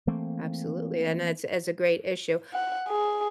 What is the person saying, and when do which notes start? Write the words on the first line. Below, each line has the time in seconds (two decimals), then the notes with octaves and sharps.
Absolutely, and that's that's a great issue.
0.07 E3 A3 A#3 C4
2.53 F#5
2.88 G#4